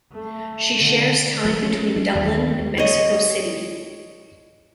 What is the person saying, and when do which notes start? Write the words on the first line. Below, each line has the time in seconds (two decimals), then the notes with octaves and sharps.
She shares time between Dublin and Mexico City.
0.12 A3
0.81 D3
1.45 F3
1.63 C#4
1.96 D4
2.15 D#2
2.78 C#5 D#5